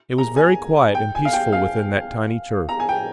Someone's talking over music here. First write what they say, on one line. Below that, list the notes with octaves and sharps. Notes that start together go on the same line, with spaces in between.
It was very quiet and peaceful within that tiny church.
A#5
G#5
G5
G#5
F5
G5
F5
A#5
G#5
G5